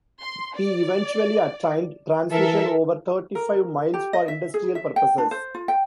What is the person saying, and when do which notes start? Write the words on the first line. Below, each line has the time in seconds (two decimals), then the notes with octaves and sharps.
He eventually attained transmission over thirty-five miles for industrial purposes.
0.22 C6
0.56 D5
2.31 E3 A4 A#4 E5
3.35 A#4
3.94 G4
4.13 D#5
4.28 E5
4.54 G#4
4.75 E5
4.96 G5
5.18 D4
5.31 C5
5.54 F4
5.68 G5